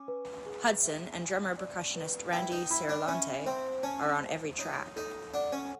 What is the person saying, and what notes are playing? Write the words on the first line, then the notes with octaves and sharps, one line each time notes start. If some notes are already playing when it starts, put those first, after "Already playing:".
Hudson and drummer-percussionist Randy Ciarlante are on every track.
Already playing: C#4 D6
B4
G#4
E5
G#5
D5
B4
E4 G5
D#4
E4 B5
D4
C#4 E5
C4 C5
C#4 A5
C5
D#4 C#5
D#4 A4
D4 F#5
C#4